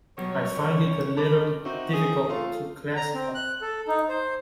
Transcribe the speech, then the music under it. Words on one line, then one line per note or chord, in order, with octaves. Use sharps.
I find it a little difficult to classify.
B2 F#3 G3 C#5
C2
A5 B5 D6
C4 D#4 F#4 E5
G#4
A3 F4 F5 C6
A#5
C4
F#6
A4
D#4
C5